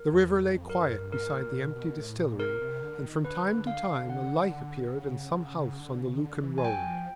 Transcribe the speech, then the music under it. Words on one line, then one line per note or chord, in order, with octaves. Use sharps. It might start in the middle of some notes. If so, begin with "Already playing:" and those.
The river lay quiet beside the empty distillery and from time to time a light appeared in some house on the Lucan road.
Already playing: A#4
E2
F2
F#2 A#4
G2
A#4
G#2
A2
A#2
B2
B2
A2
A#2
C3 A#4
C3
D3
D#3
D3 B4
F5
F#5
C3
C#3
D3
C#3
D#3
D3
E3
G#5
F#3 G5
F3